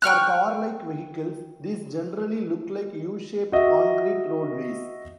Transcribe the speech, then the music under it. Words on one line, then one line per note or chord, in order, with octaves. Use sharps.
For car-like vehicles these generally look like U-shaped concrete roadways.
G5 C#6 F6 F#6
F#4 D#5 E5